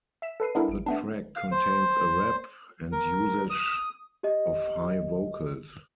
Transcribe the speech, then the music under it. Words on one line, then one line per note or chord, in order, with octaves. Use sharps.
The track contains a rap and usage of high vocals.
E5 B6 E7
A4 B4 C7 D#7
G3 B3 D4 E4 A4 A#4
G#1 D7
A3 B3 D4
F5
C5
A#4
D#6
G4 D#5